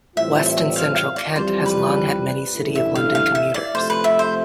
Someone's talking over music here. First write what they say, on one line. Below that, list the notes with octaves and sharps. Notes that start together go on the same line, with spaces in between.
West and Central Kent has long had many City of London commuters.
A2 E3 G3 C4 F4 E5
E5
F5
F5
D5
F2 E3 G3 C4 C5
B4
A1 G2 D3 A3 E4
E5
F5
F5
E5
D5
C3 F3 A3 C5
B4
E5
C5